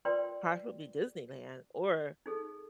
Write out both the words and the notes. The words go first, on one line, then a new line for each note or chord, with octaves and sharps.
possibly Disneyland or
F4 A#4 B4 D5 G5 C6
D#4 G#4 A4